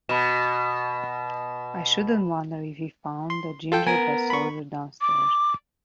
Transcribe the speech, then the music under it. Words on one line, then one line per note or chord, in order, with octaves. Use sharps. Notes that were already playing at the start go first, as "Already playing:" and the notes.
I shouldn't wonder if we found a ginger-bread soldier downstairs.
B2 B5 E7
C6
F4 A4 G5
B3 A#4 G#5
B5 C#6
D6